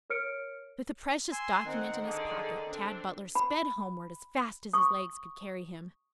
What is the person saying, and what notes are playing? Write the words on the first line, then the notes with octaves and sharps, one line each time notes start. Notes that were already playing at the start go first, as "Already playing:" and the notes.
With the precious document in his pocket, Tad Butler sped homeward as fast as his legs could carry him.
A#4 C#5 F6 C#7 D7
G#5 C6 E6
D#3 C4 F#5
D3 G#4 D5
C4 D4 A4
B5
C#6 D#6